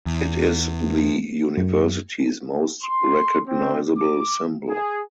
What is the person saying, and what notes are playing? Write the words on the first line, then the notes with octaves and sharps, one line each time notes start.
It is the university's most recognizable symbol.
E2
F#2
C6
C4
D6
G#4